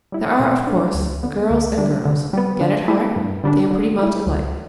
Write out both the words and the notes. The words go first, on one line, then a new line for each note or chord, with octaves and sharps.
There are of course, girls and girls; yet at heart they are pretty much alike.
G3 E4
B2
A3 D4
D2
D3 B3
D2
D3 G3 D4
D3
G3 B3
D3
A3 E4
G2
D3 G3 D4
D3
G3 E4
D2